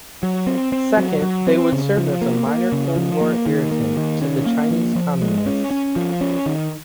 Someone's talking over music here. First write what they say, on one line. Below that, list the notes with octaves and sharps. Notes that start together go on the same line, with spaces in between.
Second, they would serve as a minor Cold War irritant to the Chinese Communists.
F#3
C4
C4
F#3
F#3
C4
C#3
F3
A#3
A#3
C#3
F3
A#3
D#3
A#3
D#3
C#4
A#3
F3
F3
G#3
C#4
C#4
F3
C#4
D#3